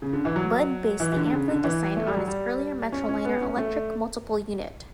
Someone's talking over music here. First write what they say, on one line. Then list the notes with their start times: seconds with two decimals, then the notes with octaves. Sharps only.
Budd based the Amfleet design on its earlier Metroliner electric multiple unit.
0.02 C#3
0.13 D3
0.25 E3
0.36 F#3
1.00 E3
1.12 E3
1.16 D3
1.32 C#3
1.48 D3
1.64 E3
1.97 A3
2.07 G3
2.17 F#3
2.27 G3
2.92 C#4
3.09 C#4
3.25 B3
3.41 C#4
3.57 A3